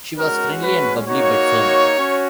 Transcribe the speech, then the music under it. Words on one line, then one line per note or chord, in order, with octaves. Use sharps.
She was friendly and bubbly, but firm.
G#3 C#4 F#4 A#4
B4
A#3 D#4 F#4 C#5
C#4 F#4